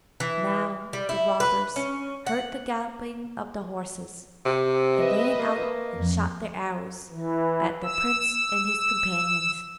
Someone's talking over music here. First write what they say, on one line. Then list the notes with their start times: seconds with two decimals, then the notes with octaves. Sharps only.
Now the robbers heard the galloping of the horses, and ran out and shot their arrows at the prince and his companions.
0.20 E3
0.93 G3
1.09 E4
1.40 B4
1.76 C#4
2.27 F#5
4.46 C3
4.95 B4 D#5 E5
5.39 A#3
5.97 F2
7.10 E3
7.84 E6